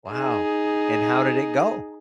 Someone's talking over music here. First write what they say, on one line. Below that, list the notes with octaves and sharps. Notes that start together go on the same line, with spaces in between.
Wow. And how did it go?
D#4 G#4